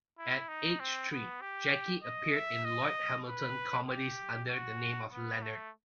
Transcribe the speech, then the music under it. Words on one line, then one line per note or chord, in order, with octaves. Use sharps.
At age three, Jackie appeared in Lloyd Hamilton comedies under the name of "Leonard".
E4
D#4
C4
B3
G4
D#5
E5
D#5
B4
G4
F#4
B3
A3